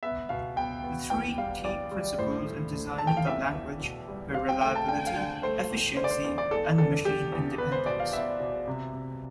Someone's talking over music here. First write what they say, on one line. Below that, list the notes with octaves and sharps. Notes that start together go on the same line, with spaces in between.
The three key principles in designing the language were reliability, efficiency, and machine-independence.
B3 E5
B2 F5
B3 G5
B3
E2 G5
G3 F5
E2 D5
G3
A2 C5
A3
A3
A3 A5
G5
F5
E2 E5
E2
B2
G3
C4 F5
G5
A3 G5
A5
D3 G5
F5
D3
A3 C5
E2
D3 C5
D5
C5
E2
D5
E2 A4
E2 A4
E2 G4
E2
B3 B4
C5
B2 D5
F5
B3 E5
B2
C3
C3